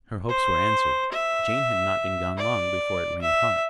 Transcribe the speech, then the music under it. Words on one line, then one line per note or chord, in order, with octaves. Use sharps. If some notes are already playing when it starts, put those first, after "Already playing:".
Her hopes were answered; Jane had not been gone long before it rained hard.
C5
E5
D5
E5